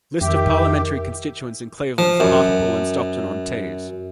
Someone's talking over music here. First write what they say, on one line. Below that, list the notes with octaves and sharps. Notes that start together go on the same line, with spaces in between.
List of Parliamentary constituencies in Cleveland for Hartlepool and Stockton-on-Tees.
F2 D#3 G4 E5
F3
F#2